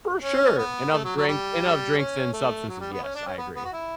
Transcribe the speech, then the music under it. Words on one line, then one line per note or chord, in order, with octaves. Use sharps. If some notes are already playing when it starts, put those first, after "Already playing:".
For sure, enough drinks enough drinks and substances, yes, I agree.
C#4
B3
A3
F#3
F#3
G3
C#4
A3
F#3
G3
B3
C#4
D4
C#4
B3
B3
F#4
E4